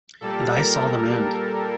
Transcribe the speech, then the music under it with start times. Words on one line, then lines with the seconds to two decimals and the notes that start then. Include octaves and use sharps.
And I saw them end.
0.21 A#2 G3 A#3 A4
0.56 A#4